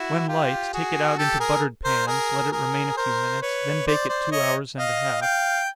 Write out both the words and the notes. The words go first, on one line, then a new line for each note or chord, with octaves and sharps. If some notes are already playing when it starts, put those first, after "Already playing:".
When light, take it out into buttered pans, let it remain a few minutes, then bake it two hours and a half.
Already playing: E4 F#4
F4 G4
F#4 G#4
G4 A4
G#4 A#4
A#4 C5
G#4 A#4
G#4 A#4
A#4 C5
B4 C#5
C5 D5
C5 D5
C#5 D#5
D#5 F5
F5 G5